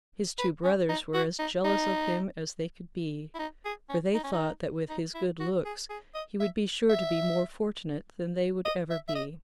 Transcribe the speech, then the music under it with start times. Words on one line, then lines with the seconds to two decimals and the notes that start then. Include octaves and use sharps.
His two brothers were as jealous of him as they could be, for they thought that with his good looks he would be sure to be more fortunate than they would ever be.
0.39 B4
0.64 C#4
0.89 D#4
1.14 F#4
1.39 D#4
1.64 D#4
3.35 E4
3.39 D#4
3.65 G#4
3.89 C#4
4.14 D#4
4.24 C#4
4.33 D#4
4.89 D#4
5.15 E4
5.40 F#4
5.65 G#4
5.90 G#4
6.15 D#5
6.40 E5
6.90 E5
8.65 D#5
8.90 E5
9.08 E5
9.15 D#5